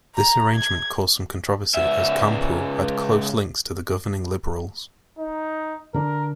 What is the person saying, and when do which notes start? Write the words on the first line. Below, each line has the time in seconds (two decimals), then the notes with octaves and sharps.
This arrangement caused some controversy as Campeau had close links to the governing Liberals.
0.16 A#5
0.54 G#6
1.74 C#2 E5
5.19 D#4
5.94 D3 D4 A#4